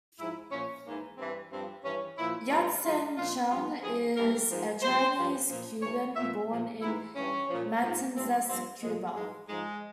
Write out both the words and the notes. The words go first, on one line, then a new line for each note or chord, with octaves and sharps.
Yat-Sen Chang is a Chinese Cuban born in Matanzas, Cuba.
G#2 F3 E4
A#2 F3 C#4
G#2 E3 A#3
G2 E3 C4
G2 F3 C4
G2 E3 C#4
A#2 F3 E4
G2 E3 F4
G#2 F3 F4
A#2 F3 F4
G2 F3 F4
G2 E3 G#4
G2 E3 A#4
G#2 F3
G2 F3 C5
G2 F3
A#2 F3
G2 E3 C#5
A#2 F3 E5
A#2 F3
G#2 E3 E4
G2 E3 C#4
A#2 F3
G#2 F3
G2 E3 C4
G2 F3 C4
A#2 F3 G#3
G#2 E3 G#3
G#2 F3 G#3